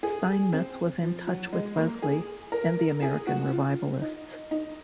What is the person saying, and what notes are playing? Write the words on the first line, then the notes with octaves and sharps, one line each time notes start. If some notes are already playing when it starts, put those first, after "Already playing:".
Steinmetz was in touch with Wesley and the American revivalists.
G#4
C4
F3
F#3
G#3
A#3
G#4
A#4
G#4
F#4
F4
D#4
D#4